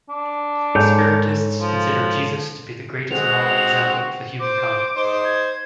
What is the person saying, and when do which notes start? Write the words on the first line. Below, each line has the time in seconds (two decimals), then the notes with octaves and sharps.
Spiritists consider Jesus to be the greatest moral example for humankind.
0.09 D4
0.75 G#2 A4 C#5 G6
1.62 F3
3.10 G#3 C4 F#4 F7
4.40 C5 D6
4.96 D#4 C5
5.25 G#6